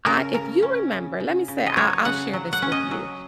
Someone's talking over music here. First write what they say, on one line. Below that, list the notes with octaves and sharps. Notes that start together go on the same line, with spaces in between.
I if you remember let me say I I'll share this with you,
C#3 A#4
C#3 A#4
C#4
C#3
C#3
C#3
D#5
F#3 C#5
C#3 F#5
F#3
F#5
C#4
D#5
F#3